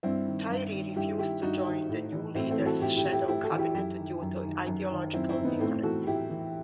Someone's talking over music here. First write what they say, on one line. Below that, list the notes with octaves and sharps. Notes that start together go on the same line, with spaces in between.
Tyrie refused to join the new leader's shadow cabinet due to ideological differences.
G2 C4 E4
D#3
G2
D#3
G2 E4 G4
D#3 E4 G4
G2 D#4 F#4
D#3
A2
E3
A2 C4 E4
A3 C4
E3
F#4 A4
A2 E4 G4
E4 G4
E3
E4 G4
A2 E4 G4
F#4 A4
E3
E4 G4
F#2 E4 G4
D#3
F#2
D#3
F#2
D#3
F#2 C4 E4
C4 E4
D#3
B3 D#4
A2 A3 C4
E3 F#4 A4
A2 E4 G4
E3